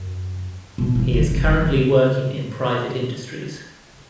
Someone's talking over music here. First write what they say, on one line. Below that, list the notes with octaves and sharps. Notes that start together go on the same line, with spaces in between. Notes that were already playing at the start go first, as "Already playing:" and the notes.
He is currently working in private industries.
Already playing: F#2
B2
E3
D#3
C#3
D#3
D#3
C#3